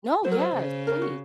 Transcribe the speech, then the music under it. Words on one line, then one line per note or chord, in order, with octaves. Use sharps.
No, yes, please.
F#3 C5
A#4
C5
C#3
A#4
F#4